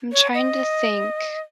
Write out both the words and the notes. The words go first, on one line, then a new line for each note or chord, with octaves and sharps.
I'm trying to think,
C#5
D#5